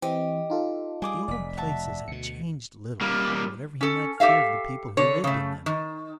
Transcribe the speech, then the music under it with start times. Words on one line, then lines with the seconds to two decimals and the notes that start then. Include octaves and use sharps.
The old places had changed little, whatever he might fear of the people who lived in them.
0.02 E3 C4 G4 D#5
0.50 D#4 F4 A4
1.02 G3 G#4 D6 D#6
1.28 F1 D5 B6
1.57 F#4 E5 A5
2.08 D2 B2 C#7
3.01 G3 A#3
3.81 C#4 A4
4.20 G4 A4 E5 F5
4.97 D3 C#5
5.24 C#3 A3
5.66 D#3